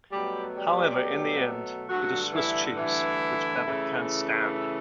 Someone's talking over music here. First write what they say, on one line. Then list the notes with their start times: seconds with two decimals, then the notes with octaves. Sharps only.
However, in the end, it is Swiss cheese, which Babbit can't stand.
0.12 B2 F#3 G3 A3 G4
0.56 G3 G4
1.89 G2 D3 F#3 A3 F#4
2.33 E3 E4
2.77 E3 E4
3.66 C#3 E3 A3